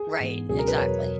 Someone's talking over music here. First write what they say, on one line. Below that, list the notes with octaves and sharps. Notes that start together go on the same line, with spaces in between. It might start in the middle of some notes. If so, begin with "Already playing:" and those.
Right, exactly.
Already playing: G#4
G#2 E3 B3
C#2 B2 F#3 C#4 F#4 G#4
A#4
B4
E2 B2 F#3 C#5